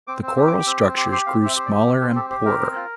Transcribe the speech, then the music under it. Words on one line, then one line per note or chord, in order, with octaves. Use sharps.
The coral structures grew smaller and poorer.
C4 D6
C4
E6
G4
D6
G4
D6
C4 E6
C4 D6
G4 C6
G4 C6
C4 F5
C4
E5
G4 C5
D5
G4
C4
C4 A4
G4 A4
G4 C5
C4 A#4
C4
F4